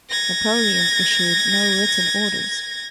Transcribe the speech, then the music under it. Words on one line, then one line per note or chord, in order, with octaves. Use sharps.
Napoleon issued no written orders.
G#6 A#6